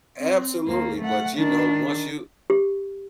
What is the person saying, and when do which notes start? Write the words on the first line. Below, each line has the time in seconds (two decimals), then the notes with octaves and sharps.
Absolutely, but, you know, once you
0.17 C4
0.67 D#2 A#3
1.01 A3 F#5
1.37 D#3 D4
2.50 G4